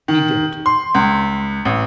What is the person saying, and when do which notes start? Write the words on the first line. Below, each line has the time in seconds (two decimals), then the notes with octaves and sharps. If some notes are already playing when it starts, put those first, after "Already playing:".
"He did."
0.08 D#3
0.66 C6
0.95 C#2
1.65 A1